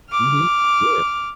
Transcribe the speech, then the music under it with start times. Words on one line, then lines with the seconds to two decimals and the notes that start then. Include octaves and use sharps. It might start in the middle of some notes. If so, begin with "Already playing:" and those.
Mhm. Yeah.
0.11 D6 F6